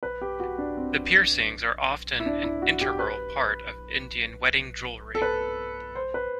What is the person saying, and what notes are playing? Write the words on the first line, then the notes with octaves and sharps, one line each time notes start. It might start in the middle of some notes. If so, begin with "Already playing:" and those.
The piercings are often an integral part of Indian wedding jewelry.
B4
G4
F#4
D4
C4
E4
D4
E4
F#4
G4
B4
A4
B4
C5
B4